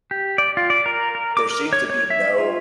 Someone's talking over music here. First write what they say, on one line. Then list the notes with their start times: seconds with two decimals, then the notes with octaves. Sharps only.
there seems to be no
0.11 G4
0.38 D5
0.57 F4
0.70 D5
0.86 A#4
1.15 A#4
1.37 D6
1.50 A#4
1.73 C#5
1.90 C#5
2.10 E5
2.39 F4